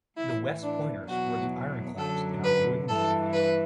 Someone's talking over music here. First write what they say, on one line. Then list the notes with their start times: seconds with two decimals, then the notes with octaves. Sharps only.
The West Pointers were the ironclads in our wooden navy.
0.17 A2 E3 E4
0.63 D4
1.08 E2 B2 F#3 F#4
1.98 F#2 D3 F#3 A4
2.44 B4
2.89 G2 E3 A4
3.33 B4